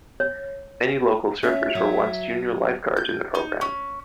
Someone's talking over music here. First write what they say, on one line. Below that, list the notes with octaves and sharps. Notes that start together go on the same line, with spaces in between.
Many local surfers were once junior lifeguards in the program.
C#5
C#4 E5
F#3
G6
D#4
C#4